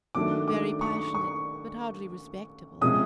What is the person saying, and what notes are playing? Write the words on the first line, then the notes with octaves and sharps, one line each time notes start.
'Very passionate, but hardly respectable.
D#3 F#3 A3 D4 D6
D6
C#6
C#6
C3 F3 G#3 C#4 D#6